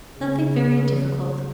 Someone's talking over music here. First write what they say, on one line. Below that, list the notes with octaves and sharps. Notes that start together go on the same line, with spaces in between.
"Nothing very difficult."
C#3